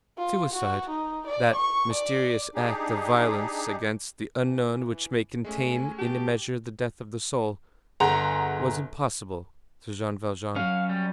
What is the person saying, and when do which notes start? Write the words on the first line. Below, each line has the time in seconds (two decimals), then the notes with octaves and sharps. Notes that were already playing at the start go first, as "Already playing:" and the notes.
Suicide, that mysterious act of violence against the unknown which may contain, in a measure, the death of the soul, was impossible to Jean Valjean.
0.18 F4
0.53 F#4
0.90 D#4
1.27 D5
1.55 C#6
1.93 D5
2.55 D4 D#4 G4 G#4
4.41 E3
5.45 G#3 A3 C#4 G#5
5.99 G4 A5
8.00 G1 G#4 F#5 A#5 C6 F7
10.56 F#3 C#4 F5
10.89 G3